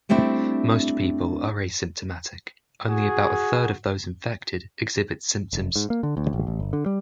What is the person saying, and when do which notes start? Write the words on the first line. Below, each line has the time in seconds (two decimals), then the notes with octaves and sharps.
Most people are asymptomatic; only about a third of those infected exhibit symptoms.
0.09 G3 A3 C4 D4 E4
2.87 F#4 G#4
5.53 F1
5.76 G#2
5.90 A#3
6.03 D3
6.17 D2
6.33 A1
6.47 A1
6.60 G1
6.73 D3
6.86 G3